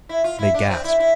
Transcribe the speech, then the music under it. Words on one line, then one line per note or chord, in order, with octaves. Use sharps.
They gasped.
E4
F4
E4
D4
C4
E4
E4